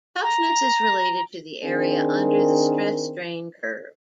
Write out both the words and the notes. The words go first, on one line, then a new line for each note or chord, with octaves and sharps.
Toughness is related to the area under the stress-strain curve.
A#5
D#3 C4 D4 G#4 A#4